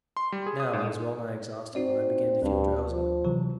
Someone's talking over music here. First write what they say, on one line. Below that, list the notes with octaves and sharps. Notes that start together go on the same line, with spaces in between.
Now I was well-nigh exhausted, and began to feel drowsy.
C6
G3
G#4
D#6
G#2
C4 D#4 F#4 D5
D2 G2
F3
C3 E3 F#3